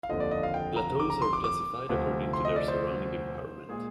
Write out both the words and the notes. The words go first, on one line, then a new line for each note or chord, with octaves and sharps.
Plateaus are classified according to their surrounding environment.
F5
F1 D#2 D3 F3 D#5
D5
D#5
F5
G5
A#5
D6
A#5
C6
D6
D6
D2 C3 F3
C6
D#5
D5
C5
A#2 G#3 G#4